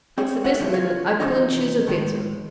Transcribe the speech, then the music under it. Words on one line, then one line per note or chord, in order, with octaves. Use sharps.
"It's the best minute; I couldn't choose a better."
C4 G#4 C5 C#5
F#4 A4 E5 F#5
G2 B2 E3 F3
F4 C#5 F5
E2 G#2 C3 F3 D#4
A2 D#3 G#3